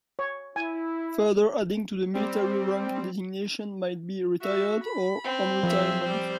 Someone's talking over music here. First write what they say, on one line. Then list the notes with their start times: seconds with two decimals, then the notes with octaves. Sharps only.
Further adding to the military rank designation might be "retired" or "on retirement".
0.19 C#5
0.56 E4 G#5
2.14 G3 C4
4.41 F#4 E5
4.82 B5
5.24 C4
5.63 F3 G#4 E5
6.03 G3 C5